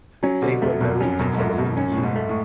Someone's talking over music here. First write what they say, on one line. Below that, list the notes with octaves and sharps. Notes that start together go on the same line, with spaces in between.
They were married the following year.
F#3 C#4
B2 D3
F2 A3
F#2 B2
F2 C#4
F#2 B2
G#2
F#2 A3
F#2 B2
F#2 C#4
A2
B2
G#2
A3
A2